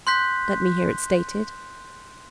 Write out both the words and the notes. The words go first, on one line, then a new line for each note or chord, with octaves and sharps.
Let me hear it stated.
C6 F#6 G6 B6